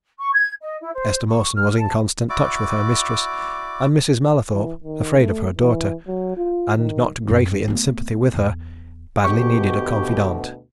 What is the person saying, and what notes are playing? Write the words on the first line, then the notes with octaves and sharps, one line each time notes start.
Esther Mawson was in constant touch with her mistress, and Mrs. Mallathorpe, afraid of her daughter, and not greatly in sympathy with her, badly needed a confidante.
C#6
G#6
D#5
E4
C5
C#6
F6
A5
E4 F#4 D5 D6
E3
D#3
A3
E3
F#3
F4
D#3
F#2 C4
A3 B3
E2
D2 B2 G4 C#6